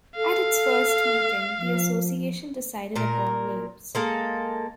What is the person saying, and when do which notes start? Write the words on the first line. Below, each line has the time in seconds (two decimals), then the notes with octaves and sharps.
At its first meeting, the Association decided upon names.
0.17 A4 F5
1.59 F3
2.96 A#2 A#4
3.95 G#3 A#3 A4